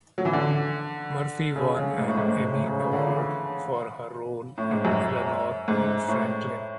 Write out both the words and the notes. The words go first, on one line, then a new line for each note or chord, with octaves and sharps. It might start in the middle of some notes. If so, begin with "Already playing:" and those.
Murphy won an Emmy Award for her role in "Eleanor and Franklin".
F#3
E3
D3
C#3
C#3
G#2
A2
G#2
G#2
A2
C#3
C#3
D3
E3
A2
G#2
F#2
G#2
A2